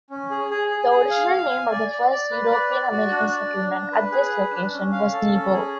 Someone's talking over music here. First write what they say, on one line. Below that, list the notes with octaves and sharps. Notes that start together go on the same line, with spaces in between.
The original name of the first European-American settlement at this location was Nebo.
C#4
G#4
G#4
G#4
G#4
F5
F5
G#5
D5
D5
D5
B4
D5
D5
F#4
D4
D5
D4
D4
B4
G#4
B4
D4
C#4
F5
A4
C#4
G#4